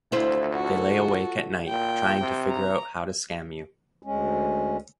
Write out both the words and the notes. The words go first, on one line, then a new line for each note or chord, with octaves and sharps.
They lay awake at night trying to figure out how to scam you.
D2 E4 F4 C5
F#4 A4
A#2 G5
C3
A#5
D2 G#3 C#4